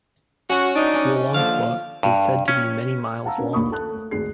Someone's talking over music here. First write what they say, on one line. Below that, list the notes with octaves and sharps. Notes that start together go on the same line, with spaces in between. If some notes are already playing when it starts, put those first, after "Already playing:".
Wollunqua is said to be many miles long.
C#4 F#4
D4 D#4
C#4
D#2 D3 F3 F5
G2
C#4
F5 F#5 A5 A#5 E6
C#4 D4 A#4 B4
A#1 D#2 A#3 B5 C#6 D#6
A4 A5 F#6
A3
G#1 D2 G#3 G#4 C7